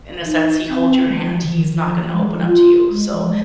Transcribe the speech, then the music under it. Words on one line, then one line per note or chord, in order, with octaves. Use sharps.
in a sense, he holds your hand, he's not gonna open up to you. So
D#4
C4
G#3
F3
D#3
F3
D#3
F3
F3
G#3
F3
F4
G#3
F3
G#3